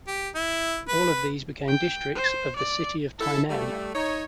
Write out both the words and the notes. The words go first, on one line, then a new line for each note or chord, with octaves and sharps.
All of these became districts of the city of Tainan.
G4
E4
B4
G5
C5
D5
E4 A4
G3 A3
D#4 C#5